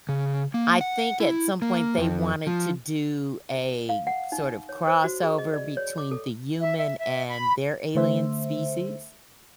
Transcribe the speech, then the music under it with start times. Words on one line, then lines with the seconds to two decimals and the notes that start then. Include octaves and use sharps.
I think at some point they wanted to do a sort of crossover between the human and their alien species,
0.09 C#3
0.54 A#3
0.81 F#5
1.20 E4
1.62 A#3
1.97 F2
2.47 F3
3.89 F5
4.07 F#5
4.32 D#4
4.69 C#5
4.88 C5
5.04 F#4
5.23 G#4
5.38 D#5
5.54 D5
5.77 C#5
5.98 D6
6.11 A4
6.60 E5
6.78 E5
6.99 E5
7.28 B5
7.95 D3 A3 C5 E5